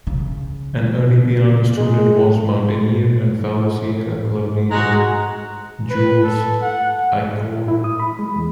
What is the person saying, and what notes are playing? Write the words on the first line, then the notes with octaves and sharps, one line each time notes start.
An early piano student was mountaineer and fellow Sierra Club leader Jules Eichorn.
C#3
G#3
G#3 F#4 A#5
B4
A4
F#5
E4
D#6
B5
G#3
E2